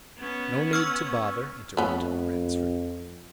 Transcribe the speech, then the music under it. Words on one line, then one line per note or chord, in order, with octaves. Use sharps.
"No need to bother," interrupted Ransford.
B3 C#4
C#6 E6 F6
F2 A3 B3 C#4